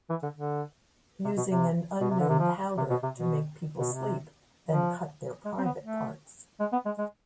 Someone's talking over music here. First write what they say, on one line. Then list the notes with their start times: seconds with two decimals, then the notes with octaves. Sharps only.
Using an unknown powder to make people sleep then cut their private parts.
0.10 E3
0.23 D3
0.35 D3
1.25 C3
1.37 B2
1.50 C3
2.01 B2
2.11 C3
2.20 D3
2.29 C3
2.39 F3
2.78 C3
2.90 B2
3.03 C3
3.16 B2
3.79 B2
3.93 C3
4.69 F3
5.45 G#3
5.58 C4
5.65 B3
5.84 A3
6.60 G#3
6.73 B3
6.86 G#3
6.98 G#3